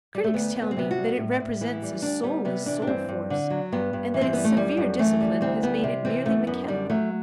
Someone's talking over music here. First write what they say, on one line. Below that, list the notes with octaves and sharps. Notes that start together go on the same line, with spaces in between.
Critics tell me that it represents a soulless soul-force and that its severe discipline has made it merely mechanical.
G3
A3
D2 B3
D2
B3
C4
C3 B3
F#4
G3
A2
A2
E3 E4
G3
D2 D4
G3 B3
C3 B3
E3 D4
D4
G2 C4
G2
D3
F#3
G2 B3
G2
E3
C4
G3 B3
A3
F#2 G3
F#2
E3 A3
G3
D2 C4
G3 B3
C3
E3 C4
F#2 A3
F#2 B3
D3 G3
F#3 A3